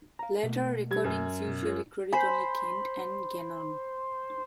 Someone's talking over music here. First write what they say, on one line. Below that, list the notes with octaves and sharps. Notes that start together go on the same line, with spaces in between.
Later recordings usually credit only Kent and Gannon.
F5 A#5
B2 A3 A#3
G3 G#6
F#2
B2
F4 A#4 C#5
C5 G#5 B5